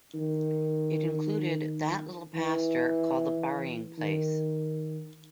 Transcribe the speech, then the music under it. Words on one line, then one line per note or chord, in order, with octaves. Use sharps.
It included "that little pasture called the burying place".
D#3
E3
D#3